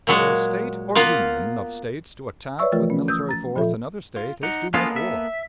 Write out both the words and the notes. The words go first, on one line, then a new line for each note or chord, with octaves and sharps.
For a State or union of States to attack with military force another State, is to make war.
A#2 F#3 G#3
A#3 B3 F4
B4 C#5 D5 E5 C#6 E6
E3 F3 A3 F4 A#4
C#4
D#6 E6 G6
A#5 A6
A#2 F3 F4 A4 E5
F4
D#4 F#5
G#3 A#3 B3 C#4 F4 A4
E5